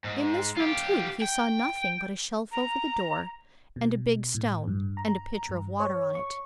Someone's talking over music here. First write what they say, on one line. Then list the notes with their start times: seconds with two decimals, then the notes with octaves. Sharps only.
In this room, too, he saw nothing but a shelf over the door, and a big stone, and a pitcher of water on it.
0.04 G#2
0.57 F4 G4
1.22 G5
2.51 A#5
3.76 B2
4.34 A2
4.67 G2
4.97 A#5
5.49 G2
5.80 C#5
6.15 C#6